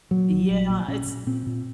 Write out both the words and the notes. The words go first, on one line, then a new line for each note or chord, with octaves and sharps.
Yeah, it's
A#2 F#3
A#1
A#1
A#2
A#2 C#4
A#2
A#2 C4
A#2